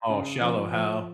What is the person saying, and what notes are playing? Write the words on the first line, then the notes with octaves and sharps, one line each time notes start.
Oh, Shallow Hal.
C#3
F3
F3